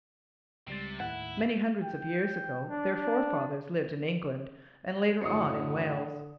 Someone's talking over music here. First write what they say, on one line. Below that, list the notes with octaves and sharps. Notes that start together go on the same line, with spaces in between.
Many hundreds of years ago their forefathers lived in England and later on in Wales.
C#2 C3 G3 A6
D#2 A2 E4 F#5
G5
D4
F#2 A2 D3 B3 D#4 D#6 C7 C#7